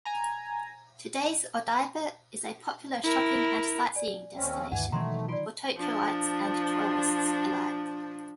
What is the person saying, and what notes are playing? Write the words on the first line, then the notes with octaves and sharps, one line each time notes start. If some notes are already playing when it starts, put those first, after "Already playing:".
Today's Odaiba is a popular shopping and sightseeing destination for Tokyoites and tourists alike.
G#5 A#5
E4 A#4
D5 G#5
D#2 C4 C#4
D2 G2 D#3 E3 F#5 G#5
B2 D#3 E3 F#3 G#3 A3 A#5 C6
F4 D5 C6 D7
F3 D4